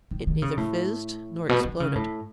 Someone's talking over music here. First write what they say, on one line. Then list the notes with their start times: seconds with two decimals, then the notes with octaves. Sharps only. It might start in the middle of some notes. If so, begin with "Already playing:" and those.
It neither fizzed nor exploded.
0.11 D#3
0.27 D#3
0.42 C#3
0.57 A2
1.49 B2
1.65 D#3
1.80 C#3
1.95 A2